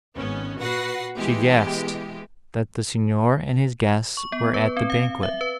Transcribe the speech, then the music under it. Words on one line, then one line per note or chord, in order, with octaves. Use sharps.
She guessed, that the Signor and his guests were at the banquet.
G#1 B3 C#4
A#2 F#4 B4 F#5 A#6 C7
B2 E3 G#3 G4
C#6
B3
B4
C4
F5
E5
B4